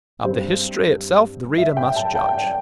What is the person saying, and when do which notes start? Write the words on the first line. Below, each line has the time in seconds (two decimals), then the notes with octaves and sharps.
Of the history itself the reader must judge.
0.24 G2 G3 C4 C5
1.58 E5
1.77 G5
1.96 A5
2.15 G5
2.35 D5